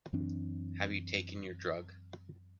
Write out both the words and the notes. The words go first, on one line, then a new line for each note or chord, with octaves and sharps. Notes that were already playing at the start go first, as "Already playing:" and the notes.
Have you taken your drug?
F#2 E3 C4 D4